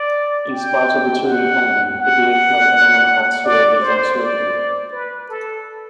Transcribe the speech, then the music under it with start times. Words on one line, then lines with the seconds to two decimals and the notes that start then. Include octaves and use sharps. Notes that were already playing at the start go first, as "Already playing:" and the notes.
In spite of the Turin canon, the duration of Amenemhat's reign is uncertain.
Already playing: D5
0.51 G5
1.24 F#5
1.98 F#5
3.45 D5
3.81 C5
4.19 D5
4.92 B4
5.29 A4